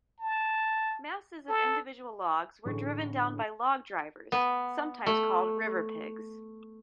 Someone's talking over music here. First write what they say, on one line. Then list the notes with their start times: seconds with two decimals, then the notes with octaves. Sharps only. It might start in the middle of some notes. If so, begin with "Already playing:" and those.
Masses of individual logs were driven down by log drivers, sometimes called river pigs.
0.20 A5
1.49 A4
2.65 A1 A2 D3 G#4 C#6
4.32 B3
5.06 A3